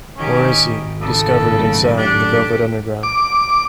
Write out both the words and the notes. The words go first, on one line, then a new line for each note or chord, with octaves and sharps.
Morrissey discovered and signed the Velvet Underground.
G#1 D#3 C#4 G4
C#3 A4
F#2 A2 A3
D4 G4 A4
D6